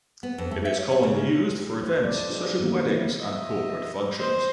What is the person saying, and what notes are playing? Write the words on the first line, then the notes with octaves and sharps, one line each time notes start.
It is commonly used for events such as weddings and corporate functions.
B3
F2
A3
E5
C#5
C#5
C#3
G4
F3 F4 C5
A4 B4 D5
D4 F4 G#4 C5 D5 D#5
D#3 E3 A#3 B3 E4
E3 F#3 A3 B3 E4
D#5 E5
C5 D#5